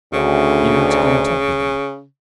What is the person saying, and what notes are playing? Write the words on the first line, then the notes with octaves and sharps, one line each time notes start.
"Do you want to go and talk with them?"
D2 C#3